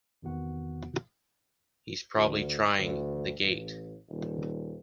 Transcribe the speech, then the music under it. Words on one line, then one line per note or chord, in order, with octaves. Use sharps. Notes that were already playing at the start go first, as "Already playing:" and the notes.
He’s probably trying the gate!
E2 C3 D#3 B3 F#4 F#5
D2
D2
A1
D#1